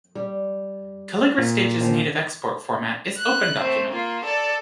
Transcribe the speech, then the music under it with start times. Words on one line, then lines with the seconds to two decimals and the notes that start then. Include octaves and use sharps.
Calligra Stage's native export format is OpenDocument.
0.15 G3
1.38 A#2
1.81 D#2 F3
3.18 F#6
3.60 A3 C4
3.89 A#3 F4
4.24 A4 D5